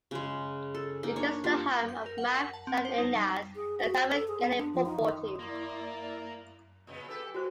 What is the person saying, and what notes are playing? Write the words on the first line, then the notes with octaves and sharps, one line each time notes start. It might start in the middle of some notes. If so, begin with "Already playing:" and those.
It is the home of Omagh Saint Enda's and the Tyrone Gaelic football teams.
C#3 G#3
A4
A#3 D#4
D4 C#5
A#3 D4 F4 G4
G6
A#4
F#5
F#5
A5
C4
C5
D#4
G3
G#4
F#4
C5
A4
G#4
B3
D4
F3
D#4
D#3
A#3 E4 D5
A#2 C#3 B3
G4 A4 B4
G5 G#5
A#2 F#4 C5 C#6